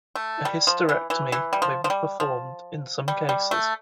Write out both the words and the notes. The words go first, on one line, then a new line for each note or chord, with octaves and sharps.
A hysterectomy may be performed in some cases.
A3
G3
F3
E3
E3
E3
G3
F3
F3
G3
F3
G3
G3
A3